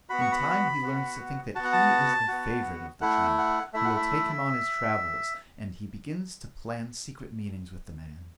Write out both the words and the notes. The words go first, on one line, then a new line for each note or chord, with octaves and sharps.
In time he learns to think that he is the favorite of the tramp, who will take him on his travels, and he begins to plan secret meetings with the man.
B3 F#4 B5
C#6
B5
B3 F#4
B3 F#4 A5
F#5
A5
B3 F#4
A3 E4 F#5
F#5
A3 E4 E5
F#5
E5